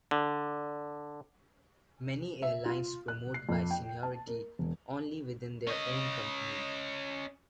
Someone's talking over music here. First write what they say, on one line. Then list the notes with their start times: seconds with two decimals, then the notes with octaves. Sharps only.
Many airlines promote by seniority only within their own company.
0.11 D3
2.42 E5
2.66 F4
3.08 F#6
3.34 C7
3.49 F2
3.71 G5
4.03 A5
4.27 A#4
4.59 E1
5.68 C#4 D#5